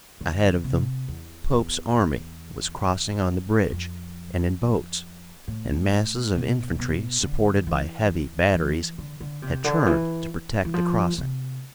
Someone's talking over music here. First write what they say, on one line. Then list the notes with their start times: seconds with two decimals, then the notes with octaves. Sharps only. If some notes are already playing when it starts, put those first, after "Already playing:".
Ahead of them Pope's army was crossing on the bridge and in boats, and masses of infantry supported by heavy batteries had turned to protect the crossing.
0.21 D3
0.64 C3
1.08 E2
1.53 E2
3.72 F2
5.48 A2
6.35 B2
6.79 B2
7.22 D3
7.67 E3
8.10 E3
8.54 E3
8.98 D3
9.20 D3
9.42 C3
9.64 D3
9.86 E3
10.65 E3
10.74 F3
11.18 C3